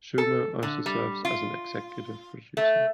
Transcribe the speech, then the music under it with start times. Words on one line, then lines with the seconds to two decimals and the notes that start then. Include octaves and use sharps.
Schumer also serves as an executive producer.
0.18 A4
0.63 D3
0.86 G3
1.25 F4
2.57 A3